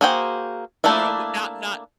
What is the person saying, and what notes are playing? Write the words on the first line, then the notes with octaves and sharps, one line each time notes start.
No, no, w not not
A#3 F#4 G#4 C5 G5
A3 A#3 D4 E4